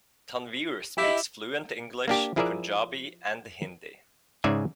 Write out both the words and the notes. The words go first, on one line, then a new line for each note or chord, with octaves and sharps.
Tanveer speaks fluent English, Punjabi and Hindi.
E4 G4 D#5 F5 G5
A#3 D4 G4
F3 E4 G#4 A#4 D5 E5
G#2 C#3 G#4 D5 E5 G#5